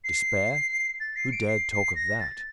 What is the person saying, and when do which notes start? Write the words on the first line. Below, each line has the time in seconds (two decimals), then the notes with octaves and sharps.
Despair! Who dared talk of that?
0.04 C7
1.00 A6
1.16 C7
1.32 D7
1.48 C7
1.72 C7
1.95 A#6
2.20 A6